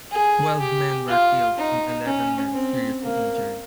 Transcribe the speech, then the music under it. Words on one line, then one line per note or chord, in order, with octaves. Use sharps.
Twelve men were killed, and eleven men seriously injured.
G#4
G4
F4
D#4
C#4
C4
A#3